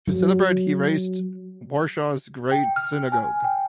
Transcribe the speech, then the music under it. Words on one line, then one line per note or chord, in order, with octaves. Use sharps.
To celebrate he razed Warsaw's Great Synagogue.
F#3
G5
F6
G#5
G5